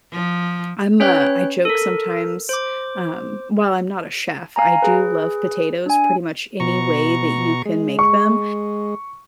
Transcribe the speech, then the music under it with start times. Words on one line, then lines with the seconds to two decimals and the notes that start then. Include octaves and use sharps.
I'm a I joke sometimes, um while I'm not a chef, I do love potatoes pretty much any way that you can make them.
0.12 F3
1.00 C#4 B4 C#5 G5 F#6
1.65 A4 A#4
2.49 C5 D6
4.56 F5 G#5 A#5
4.82 G#4 B4
5.86 D4 G#5
6.60 B2 A#5 C#6
7.66 G#3
7.99 C#6